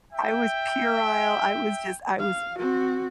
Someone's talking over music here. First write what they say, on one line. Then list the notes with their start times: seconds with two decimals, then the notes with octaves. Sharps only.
I was puerile. I was just I was
0.13 E5 G5
2.20 F5
2.58 C4 F#4